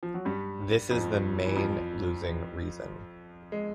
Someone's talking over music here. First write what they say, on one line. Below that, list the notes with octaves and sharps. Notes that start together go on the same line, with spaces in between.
This is the main losing reason.
F3
F#3
G2 G3
F2 F3
E3
F2 F3
G#3